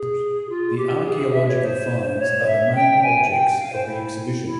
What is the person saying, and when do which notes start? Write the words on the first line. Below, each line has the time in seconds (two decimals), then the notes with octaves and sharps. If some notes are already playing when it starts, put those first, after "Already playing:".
The archaeological finds are the main objects of the exhibition.
Already playing: G#4
0.49 F4
0.77 G4
1.06 G#4
1.33 E5
1.48 C#5
1.61 C5
2.14 C5
2.18 C#5
2.46 E5
2.75 G5
3.02 G#5
3.30 G5
3.59 F5
3.73 C5
3.86 E4
4.43 E4